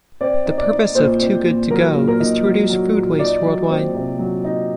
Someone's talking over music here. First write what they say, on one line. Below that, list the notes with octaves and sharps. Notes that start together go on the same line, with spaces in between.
The purpose of Too Good To Go is to reduce food waste worldwide.
C4 D5
D#4
D5
D#4
A#2 C5
C4
A#2
F#3 A#4
A#2
A#4
D#4
F#3
F#3
A#2
D#4 D5
F#3
C4
C3
F#3
D#4